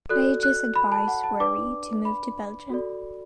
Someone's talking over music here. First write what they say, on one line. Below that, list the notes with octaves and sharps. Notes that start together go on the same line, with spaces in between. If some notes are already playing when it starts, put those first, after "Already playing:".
Lages advised Wery to move to Belgium.
F#4 A4 D5 F#6
F#6
B5
A5
F#5
A5
D4 B4 D5 D6
B5
F#4 A4 D5